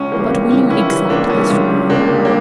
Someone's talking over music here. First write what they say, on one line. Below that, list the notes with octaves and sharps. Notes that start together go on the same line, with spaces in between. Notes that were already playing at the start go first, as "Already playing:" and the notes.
But will you exact this from her?
Already playing: C#2 C#4
C#3 E3 G3 A#3
C#2 C#4
C#3 E3 G3
C#2 C#4 E4
C#3 E3 G3
C#2 A#3 D4
C#3 E3 G3 C#4
C#2
C#3 G3
C#2 A#3 D4
C#3 G3
A#3